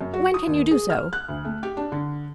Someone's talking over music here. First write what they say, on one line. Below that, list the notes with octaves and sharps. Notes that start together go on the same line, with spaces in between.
"When can you do so?"
F#2
F#4
D#6
D#2
G#4
F6
F#6
D2
A3
G4
D4
D3